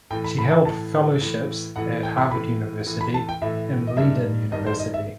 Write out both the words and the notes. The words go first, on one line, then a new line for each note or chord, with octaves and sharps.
She held Fellowships at Harvard University and Leiden University.
A2 E3 G5
B5
B5
A5
A2 E3 A5
A2 E3
A2 E3 F#5
G5
B5
A2 E3 B5
A2 E3
B5
A5
G5
A2 E3 E5
D#5
G2 D#3 E5
G2 D#3 D#5
C5
D#5
E5